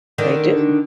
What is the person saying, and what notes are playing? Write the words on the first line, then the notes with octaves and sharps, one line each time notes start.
They do.
D3 D#3 D4